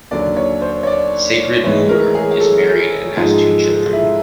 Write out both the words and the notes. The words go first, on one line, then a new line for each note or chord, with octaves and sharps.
Sigrid Müller is married, and has two children.
D#2 D3 F#3 D5
C#5
C5
C#5
D5
A2 E3 G#3 C#5
A#4
G#4
G#4
A4
G#2 F3 G#3
E4